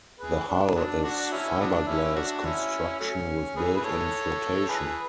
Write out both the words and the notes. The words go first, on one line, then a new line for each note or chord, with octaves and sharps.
The hull is fibreglass construction with built in flotation.
G#4 B4
D4
F#3 B3 D4
D4 F#4
C#4 E4
F#3 B3 D4
C#4 E4
D4 F#4
F#4
C#4 E4
F#3 A3 C#4
G#4 B4
B4
A4 C#5
G#4 B4